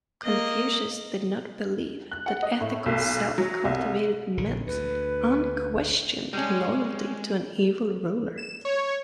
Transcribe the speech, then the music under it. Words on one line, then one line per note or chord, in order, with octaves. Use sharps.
Confucius did not believe that ethical self-cultivation meant unquestioned loyalty to an evil ruler.
A#3 D#5
F#6
F#5
D#5
A2
B1
F#3
C2
A#1 D3
D2 B4
G3 G#3 C#4
E7
C#5